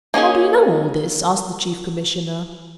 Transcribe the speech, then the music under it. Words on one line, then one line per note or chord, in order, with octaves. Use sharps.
"How do you know all this?" asked the Chief Commissioner.
A#3 C#4 D#4 G#4